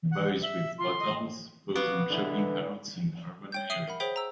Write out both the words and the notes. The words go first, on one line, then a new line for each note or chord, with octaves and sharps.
Boys with bottles pose in shopping carts in urban area.
F#5
E5
F4 C6
D#5
B3 F5 C#6 D6
D3 E3 E4
C#5 G5 G6
E5 D#6 C7 D#7 G7
A#4 F#5 B5
G#4 C5 C#5 G5 B6 G7
A#5 E6